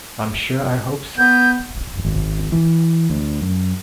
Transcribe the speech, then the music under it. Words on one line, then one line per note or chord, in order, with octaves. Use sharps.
I'm sure I hope so.
B3 G6
G#1
E3
D2
F#2